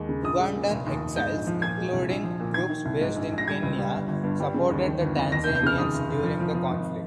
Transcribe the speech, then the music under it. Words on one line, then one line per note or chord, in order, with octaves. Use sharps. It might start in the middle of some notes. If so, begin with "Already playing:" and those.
Ugandan exiles including groups based in Kenya supported the Tanzanians during the conflict.
Already playing: D#2 G#3
C#3
A#1 D#6
G#3
A#2
F1
D#2
F1
G#2 G6
A#1
F3
A#2 G#6
G#3
C2
A#1
F3
A#2
D#3 G#6
D#3
C2
G#2
A#1
A#1
A#6
G3 G#6
C#2
G3
G1
G1
G2
G3
C#3
D#2
D#3
G1
F2
D#2 A#6
G6
F1
G6
C#3 F6
D#2 D#6
F1
F1
F3
F3
F3
G#1